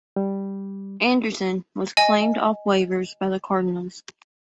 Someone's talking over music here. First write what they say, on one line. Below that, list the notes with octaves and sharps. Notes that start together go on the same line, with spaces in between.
Anderson was claimed off waivers by the Cardinals.
G3
D#5 G#5